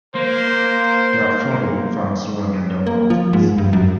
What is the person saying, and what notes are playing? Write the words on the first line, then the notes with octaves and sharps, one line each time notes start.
They have foldable fans surrounding their mouths.
A#3 C5
A#3
F3
G#2
G2
F#2